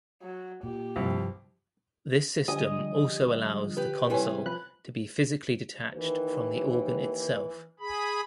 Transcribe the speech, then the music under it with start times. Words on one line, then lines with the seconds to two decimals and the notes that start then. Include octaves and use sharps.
This system also allows the console to be physically detached from the organ itself.
0.22 F#3
0.63 A#2 G4
0.96 C2 G2 F3
2.48 D3 F3 G3 D#5 G#5 D#6
3.77 G4 B4
4.10 C3 E3 G3 C#4 B4 G#5
4.46 F3 B5 F#6
5.94 D#2 E3 B4
7.80 G#4 B5